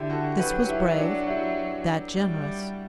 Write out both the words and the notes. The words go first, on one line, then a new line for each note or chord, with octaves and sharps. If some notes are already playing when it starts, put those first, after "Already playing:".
This was brave, that generous.
Already playing: D3 E4 G4
F#4 A4
F#3 G4 B4
E4 G4
D4 F#4
E4 G4
G3